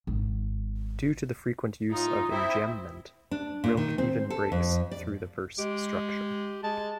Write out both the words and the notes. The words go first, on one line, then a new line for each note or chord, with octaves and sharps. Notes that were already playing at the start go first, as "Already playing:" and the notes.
Due to the frequent use of enjambment Rilke even breaks through the verse structure.
G#1
A2 D#4 F4 D#6
C4 E4 C5 E5
D4
A#2
D#3
C4
A4
F2
D5
G#3 G4
G#3 A5